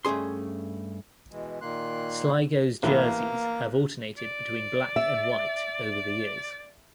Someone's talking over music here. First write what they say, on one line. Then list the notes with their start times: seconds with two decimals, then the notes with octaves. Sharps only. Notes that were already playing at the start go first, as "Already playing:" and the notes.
Sligo's jerseys have alternated between black and white over the years.
0.05 G2 A3 C#4 G#4 C6
1.32 B2 E3 G#3
1.61 A#2 D#3 A#3 C6 F#6
2.83 A1 E3 A#3 B3
4.18 D5
4.96 E5